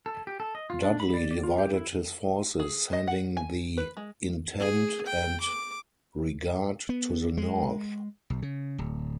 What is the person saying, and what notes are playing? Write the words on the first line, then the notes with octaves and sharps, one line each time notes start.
Dudley divided his forces, sending the "Intent" and "Regard" to the north.
A4
G4
A4
D#5
F4
D4
B5
D5
D5
F4
G4
E4
G#4
D#5
F#5
G#5
B4
G#3
G#4
G5
D6
B3
G#3
B1
C#3
D1